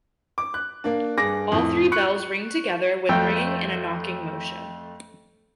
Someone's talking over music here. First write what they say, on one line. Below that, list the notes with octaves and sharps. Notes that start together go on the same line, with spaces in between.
All three bells ring together when ringing in a knocking motion.
D6
F#6
A#3 D4
G2 G#4 D6 A#6
F2 A2
C#6 F#6 C#7
F2 A3 G5